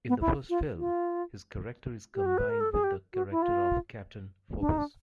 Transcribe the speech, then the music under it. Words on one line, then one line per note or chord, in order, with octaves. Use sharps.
In the first film, his character is combined with the character of Captain Phoebus.
B3
E4
F4
F4
G4
F#4
B4
A#4
A4
G#4
G4
F#4
E4
F4
D4
D#4
D4